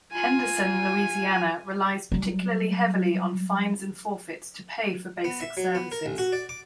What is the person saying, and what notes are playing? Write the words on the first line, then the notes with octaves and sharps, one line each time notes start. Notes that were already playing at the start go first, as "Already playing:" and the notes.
Henderson, Louisiana relies particularly heavily on fines and forfeits to pay for basic services.
F4 G#5
F#3 G3
B3
E5
F#3
B3
A#4
A1
F#4
D5
D6